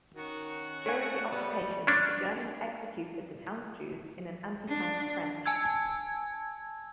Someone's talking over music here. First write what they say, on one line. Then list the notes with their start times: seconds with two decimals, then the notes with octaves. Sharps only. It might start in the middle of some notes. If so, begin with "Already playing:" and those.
During the occupation, the Germans executed the town's Jews in an anti-tank trench.
0.16 D#3 C#4 F#4
0.86 A3 C#5 G#5
1.31 G3 B3
1.87 C#4 D4
4.68 D4
5.46 G#5 A5 E6 G#6